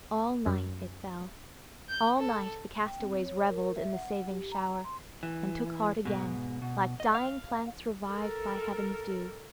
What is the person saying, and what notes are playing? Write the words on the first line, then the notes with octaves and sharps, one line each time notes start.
All night it fell, all night the castaways revelled in the saving shower, and took heart again, like dying plants revived by heaven's dew.
F#2
G6
A4
G5
C4
C#5
A#4
E5
F#5
G4
A#5
C6
E3
G#2 B2
B2
D#5
F5
A4 A#4